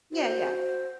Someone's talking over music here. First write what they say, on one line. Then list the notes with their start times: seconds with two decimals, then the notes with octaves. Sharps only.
Yeah, yeah.
0.13 F#4 C5